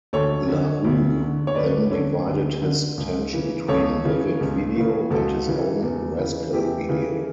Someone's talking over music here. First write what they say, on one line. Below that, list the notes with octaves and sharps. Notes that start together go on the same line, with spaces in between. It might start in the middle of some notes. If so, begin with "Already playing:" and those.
LaRue then divided his attention between Vivid Video; and his own Rascal Video.
D2 A4 C#5
D3
D2
D3
C#5
D2 B4 D5
D3 A4 C#5
D2
D3
C#2
C#3 E3
C#2 A4 C#5
C#3 E3
C#2
C#3 E3
C#2 F#4 A4
C#3 E3
E2
C#3 E3
E2 E4 G4
C#3 E3